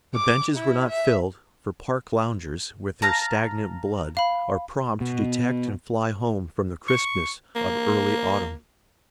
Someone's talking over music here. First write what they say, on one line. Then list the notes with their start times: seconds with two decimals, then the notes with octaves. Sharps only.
The benches were not filled; for park loungers, with their stagnant blood, are prompt to detect and fly home from the crispness of early autumn.
0.15 D6
0.56 E4
0.89 E5
3.02 F5 A5 A#5
4.17 F5 B5
5.01 B2
6.88 C#6
7.56 A#3